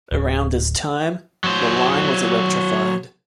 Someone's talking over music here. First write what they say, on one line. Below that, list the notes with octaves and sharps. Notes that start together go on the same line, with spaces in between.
Around this time, the line was electrified.
D1
F#3 C5